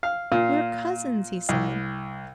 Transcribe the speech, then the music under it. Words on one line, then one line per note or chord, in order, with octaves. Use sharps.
"We're cousins!" he said.
F5
A#2 F5
C2